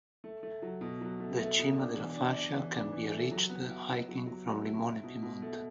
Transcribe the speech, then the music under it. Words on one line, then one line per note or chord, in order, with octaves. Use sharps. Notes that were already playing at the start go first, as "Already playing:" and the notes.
The Cima della Fascia can be reached hiking from Limone Piemonte.
A3
A3
F#3
B2
F#3
A3
A3
B2
D4
E3
D4
D4
E3
D4
E3
A3
F#3
B3
E4
E4
F#3
F#3
F#3
E4
E4
B2
B2
A3